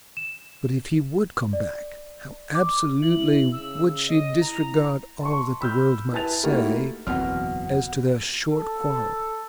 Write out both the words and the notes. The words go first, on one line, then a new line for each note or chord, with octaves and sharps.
But if he would come back, how absolutely would she disregard all that the world might say as to their short quarrel.
E7
D5
D6
E4 F#7
C#3 E6
D#5
E4 A#5
A5 C6 C#6
B5 E6 F6 G6
E4 B4 G#5 A5 A6 F7
A3 A#3 D#4 E4 F#4 G4
F#1 E2 B2 E3 C4 F#5 F6
A4